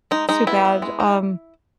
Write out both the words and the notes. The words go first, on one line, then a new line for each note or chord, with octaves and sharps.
too bad. Um,
G#3 D#4
G#3 D#4
B3 E4
B3
G#3
D#4